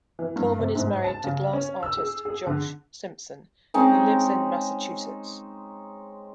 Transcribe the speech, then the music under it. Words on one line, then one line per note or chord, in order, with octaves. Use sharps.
Coleman is married to glass artist Josh Simpson who lives in Massachusetts.
E3
G2
C3
G#2
A5
C#3
C#4
E6
G#4
G#4
D3
G#3 C4 C#4 D#4